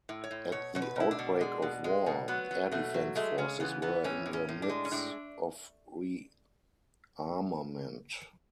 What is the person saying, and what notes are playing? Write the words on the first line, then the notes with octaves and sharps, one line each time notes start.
At the outbreak of war, air defence forces were in the midst of rearmament.
A2
C#5
A2
B2 C#5
B2 C#5
B4
B2 E4
D4
B2
G#3
B2
G#3
B2
F#3 B3
F#3
B2 A3
F#3
G#3 A3
C#3 C#4
E3 B3
E3 B3
A2 C#4
A2
C#4
A2
D4
G#3
C#4
A2 D4